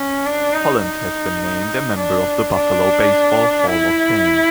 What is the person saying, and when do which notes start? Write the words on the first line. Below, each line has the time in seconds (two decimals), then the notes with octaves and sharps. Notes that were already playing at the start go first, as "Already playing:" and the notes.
Hollins has been named a member of the Buffalo Baseball Hall of Fame.
Already playing: C#4
0.26 D4
0.54 D#4
0.82 D#4
1.98 D4
2.55 D4
3.70 E4